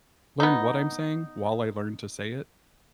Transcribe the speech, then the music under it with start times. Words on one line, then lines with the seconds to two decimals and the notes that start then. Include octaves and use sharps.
learn what I'm saying while I learned to say it,
0.40 B3 D#4